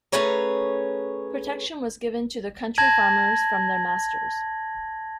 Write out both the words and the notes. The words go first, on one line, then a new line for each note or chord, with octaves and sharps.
Protection was given to the country farmers from their masters.
A3 C#4 G#4 B4 C#5 A#5
A5 G#6 A#6 F#7